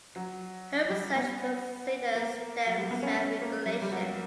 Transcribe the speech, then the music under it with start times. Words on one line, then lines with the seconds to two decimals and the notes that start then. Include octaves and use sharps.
Her research considers stem cell regulation.
0.16 F#3
0.90 G3
1.15 B3
2.15 A#3
2.66 F#3
2.78 G3
2.91 B3
3.03 C#4
3.16 C#4
3.42 A#3
3.66 G3
3.82 G3
3.92 F#3